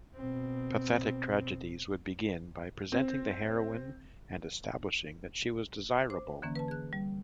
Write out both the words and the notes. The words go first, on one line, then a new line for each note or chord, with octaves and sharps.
Pathetic tragedies would begin by presenting the heroine and establishing that she was desirable.
B2 C4
C4
C5 D6
D3 E3 A#3 C#4
B4 A5
G#4 F#6
G3